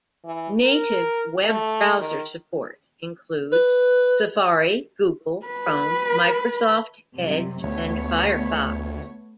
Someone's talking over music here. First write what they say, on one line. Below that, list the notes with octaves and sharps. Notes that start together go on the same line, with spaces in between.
Native web browser support includes: Safari, Google Chrome, Microsoft Edge and Firefox.
E3
A#4
A3
D#3
B4
B4 B5
F#2 C3 G3
D2 A3 B3 C#5